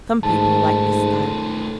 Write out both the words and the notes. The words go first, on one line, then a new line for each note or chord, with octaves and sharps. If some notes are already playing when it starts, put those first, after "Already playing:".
Some people like this style.
G#2 D#3 A3 A5